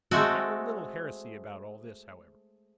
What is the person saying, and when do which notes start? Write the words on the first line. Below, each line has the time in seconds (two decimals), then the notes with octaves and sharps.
I have a little heresy about all this, however.
0.11 G#3 A3 C4 F#4 A4